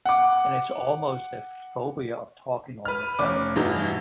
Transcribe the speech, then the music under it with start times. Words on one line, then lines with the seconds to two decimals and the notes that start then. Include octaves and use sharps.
and it's almost a phobia of talking on the phone.
0.05 F#5 D6
2.85 B4 F6
3.19 F1 C#4 D6
3.56 G2 B2 E3 D#4